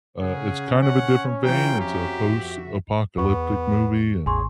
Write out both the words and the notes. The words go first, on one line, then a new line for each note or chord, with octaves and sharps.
uh it's kind of a different vein. It's a post-apocalyptic movie and,
C#3 C#4 G#4 F#5
C#5 F#5
E3 F4 G5 A#5
F2 F#4 G4 E5
E2 B3 C#6
A1 E2 G#4 G#5 C6 C#6